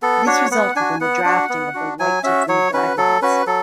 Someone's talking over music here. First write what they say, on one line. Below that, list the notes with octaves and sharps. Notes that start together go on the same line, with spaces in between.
This resulted in the drafting of the Right to Food Guidelines.
B3 A4
D4 F#4 C#5
B3 F#5
D4 F#4 G#5
B3 F#5
D4 F#4
B3
D4 F#4
F#3 G#5
C#4 F#4 E5
F#3 C#5
C#4 F#4 B4
F#3 A4
C#4 F#4 B4
F#3 A4